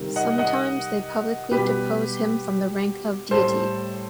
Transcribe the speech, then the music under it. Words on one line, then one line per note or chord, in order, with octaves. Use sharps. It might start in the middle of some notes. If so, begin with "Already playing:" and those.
Sometimes they publicly depose him from the rank of deity.
Already playing: C3 D#3 G3
D#5 F#5
D#5 F#5
B2 G3 G4 B4
A2 G3 A4 C5